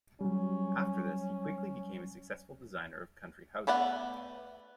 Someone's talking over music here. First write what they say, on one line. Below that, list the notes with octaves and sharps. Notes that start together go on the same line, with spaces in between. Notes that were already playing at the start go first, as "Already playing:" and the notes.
After this he quickly became a successful designer of country houses.
F#3 G3 C#4
A3 B3 D5 F#5